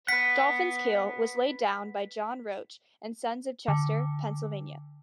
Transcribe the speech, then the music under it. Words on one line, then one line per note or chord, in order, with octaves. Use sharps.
"Dolphin"s keel was laid down by John Roach and Sons of Chester, Pennsylvania.
B4 F#5 B6
D3